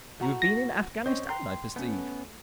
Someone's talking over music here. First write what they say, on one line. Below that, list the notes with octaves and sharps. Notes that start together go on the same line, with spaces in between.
"You have been in Afghanistan, I perceive."
A2 F#4 A#5
A#6
C4 C#4 C5 C#5 D#5
G5 A#5 C6
A3 B3 C#4